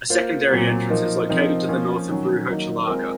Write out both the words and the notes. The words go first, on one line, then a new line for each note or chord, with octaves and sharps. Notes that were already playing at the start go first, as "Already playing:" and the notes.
A secondary entrance is located to the north of rue Hochelaga.
A#3 F4 C5
A#2 F#3 C4
F3 A#3 D#4 A#4
F3 C4 D#4 A#4
F3 A#3 C#4 F4
D#3 F#3 C#4
D#3 F#3 A#3 D#4
G#3 C4 F4 A#4